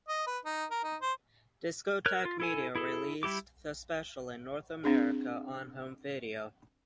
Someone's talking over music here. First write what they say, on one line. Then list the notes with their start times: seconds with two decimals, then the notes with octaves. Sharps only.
Discotek Media released the special in North America on home video.
0.09 D#5
0.27 B4
0.45 D#4
0.71 A#4
0.84 D#4
1.02 C5
2.06 A#4 C#5 F#6
2.25 F4
2.40 E4 A4 G#5
2.75 E4 G#4 A4
3.23 G3 E4 G4 D6
4.84 C4 D4 G#4